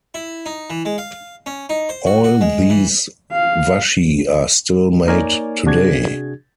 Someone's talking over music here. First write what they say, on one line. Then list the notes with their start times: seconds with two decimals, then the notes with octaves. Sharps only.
All these washi are still made today.
0.14 E4
0.46 D#4
0.70 E3
0.85 G#3
0.98 F5
1.46 C#4
1.69 D#4
1.89 C5
2.06 F#4
2.24 F#4
2.41 G#3
2.70 E3
3.32 F5
5.07 A#3 D#4 A#4 C#5 D5 G#5
5.66 C3 D4 F#4 G#4 G#6